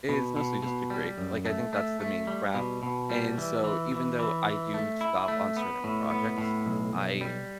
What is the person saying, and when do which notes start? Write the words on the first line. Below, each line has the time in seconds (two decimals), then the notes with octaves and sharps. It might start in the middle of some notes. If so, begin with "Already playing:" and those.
It is mostly just to create. Like, I think that's the main craft, and so even though I do stop on certain projects, I
0.09 B2
0.36 B2
0.63 B2
0.90 G3
1.18 F#2
1.46 A3
1.73 A3
2.00 A3
2.27 G3
2.54 B2
2.83 B2
3.10 G3
3.38 E3
3.64 E3
3.92 E3
4.19 E3
4.46 E3
4.74 A3
5.01 E4
5.28 A3
5.57 B3
5.84 A2
6.11 B3
6.38 A2
6.66 B1
6.93 B1
7.21 G3